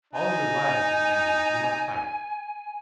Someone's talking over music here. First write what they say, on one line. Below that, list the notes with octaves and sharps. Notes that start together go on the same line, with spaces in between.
All your lives, it may be, you must fight.
D#4 G#5